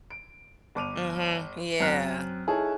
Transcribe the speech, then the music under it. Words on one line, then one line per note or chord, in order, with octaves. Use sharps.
Mhm, yeah.
D7
G1 D6 D#7 F7
F#2 C4 A#5 F6 F#6
D#4 E4 G#4 A4 C#5 A5